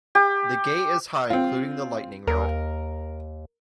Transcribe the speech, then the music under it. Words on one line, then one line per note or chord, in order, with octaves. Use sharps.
The gate is high including the lightning rod.
G4
C4 F4
D#2 A#4